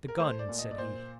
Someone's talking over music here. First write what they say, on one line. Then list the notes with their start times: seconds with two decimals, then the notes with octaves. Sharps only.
"The gun!" said he.
0.08 A#4
0.19 A3 C5
0.39 D5
0.49 A#2
0.59 D#5
0.71 D5
0.78 A#2 C5